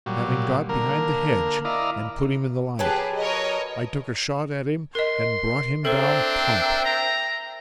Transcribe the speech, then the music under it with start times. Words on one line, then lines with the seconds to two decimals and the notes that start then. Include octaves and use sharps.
Having got behind the hedge, and put him in the light, I took a shot at him and brought him down plump.
0.06 A#2 F#3 G3
0.69 D3 A#3 A#4
1.65 E4 D5 D#5 F5 A#5
2.79 F#3 G4 G#4 B4 A5
3.17 A#4 C#5 D#5
4.95 A#4 D#5 C6
5.85 C4 D4 A4 A#4 C5 E5 G5
6.85 A#5